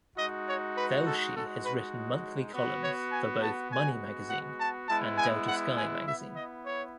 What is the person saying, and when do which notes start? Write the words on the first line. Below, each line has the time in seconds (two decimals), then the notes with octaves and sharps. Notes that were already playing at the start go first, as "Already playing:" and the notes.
Velshi has written monthly columns for both "Money Magazine" and "Delta Sky" magazine.
0.16 G#3 D#4 F#4 D#5
0.47 C#5
0.76 B4
1.05 A4
1.34 G#3 D#4 F#4 A4
1.65 B4
2.53 B3 F#4
2.83 C#5
3.11 G#5
3.42 A5
3.70 G#3 B3 F#4 G#5
4.30 F#5
4.59 A5
4.88 G#3 B3 E4 A5
5.18 G#5
5.47 F#5
5.77 G#5
6.07 B3 E4 E5
6.35 D#5
6.65 C#5